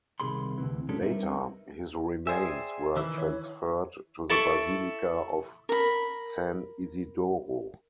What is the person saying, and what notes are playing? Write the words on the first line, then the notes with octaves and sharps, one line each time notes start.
Later, his remains were transferred to the Basilica of San Isidoro.
C2 C3 D#3 G#4 B5 C6
D2 C3 E3
G#3 C#4 D4 G4 A4
G3 C4 D#4 A#4 B4 E5
G#4 C5 D5 E5 G5 G#5
D#3 E3 E4
C#5
E4 A4 E5 A5 C#6 D6
A#4 B5